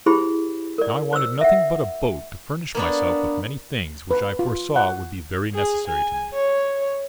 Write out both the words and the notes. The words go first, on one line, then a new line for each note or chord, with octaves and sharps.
Now I wanted nothing but a boat to furnish myself with many things which I foresaw would be very necessary to me.
E4 G4 G#4 C5 B5
A#4 D5
C5 E6
E5 F#5
A#3 B3 D4
B4
F4
F#5
G#4
G#5
C#5